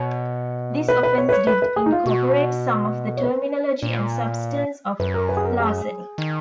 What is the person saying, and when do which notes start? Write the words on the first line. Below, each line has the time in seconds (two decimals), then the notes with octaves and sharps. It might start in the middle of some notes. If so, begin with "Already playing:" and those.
This offence did incorporate some of the terminology and substance of larceny.
Already playing: B2 C#5
0.88 B4
1.03 B4
1.18 C#5
1.29 B4
1.33 C#5
1.47 B4
1.62 B4
1.76 G#4
1.86 D#4
1.92 F4
2.06 B2 F#4
3.17 C#5
3.24 B4
3.83 A#2
5.00 F#2 B4
5.14 A#4
5.29 B4
5.37 G#4
5.45 A#4
5.59 G#4
6.18 D#3